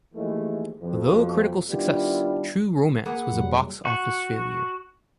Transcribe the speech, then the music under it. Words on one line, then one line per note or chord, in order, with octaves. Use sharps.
Although a critical success, "True Romance" was a box office failure.
D#2 E3 F3 G#3 A3
F2 B2 F3
D#3 G3 B3 D4 E4 F4
A#3 G#4 B4 F#5
F1 F#3 G3
F#4